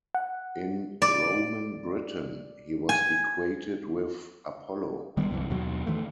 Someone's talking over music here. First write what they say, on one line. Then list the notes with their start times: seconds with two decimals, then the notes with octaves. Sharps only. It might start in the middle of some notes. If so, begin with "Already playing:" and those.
In Roman Britain, he was equated with Apollo.
0.15 F#5
1.02 D5
2.89 G#5
5.17 D#3 G3 B3
5.31 C2 F#2 C3 E3
5.50 D#2 B2 F#3
5.87 D#3 E3 A3